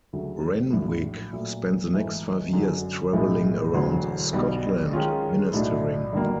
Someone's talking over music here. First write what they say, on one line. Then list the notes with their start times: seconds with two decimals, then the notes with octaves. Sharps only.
Renwick spent the next five years travelling around Scotland ministering.
0.13 D2 C#3 F#3 A3
0.73 A#1 A2 F#3
1.33 A#2 F#3 A3
1.93 G#2 E3 A3
2.53 F#2 D3 F#3
3.13 B1 A2 F3 G#3
3.73 E1 D2 D3 F#3
4.33 B1 B2 G3
4.93 D#3 G#3 C#4 F4
5.53 B1 A2 F#3 A3 D4
6.13 G1 G2 D#3 F#3 A#3